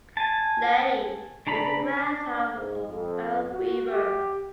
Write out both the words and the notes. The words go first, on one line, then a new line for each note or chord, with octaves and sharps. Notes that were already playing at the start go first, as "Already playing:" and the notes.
Leahy is the grandson of Earl Weaver.
G#5 A5
C#3 D4 A#5 B5
D4
G#2
F2
F#4
G4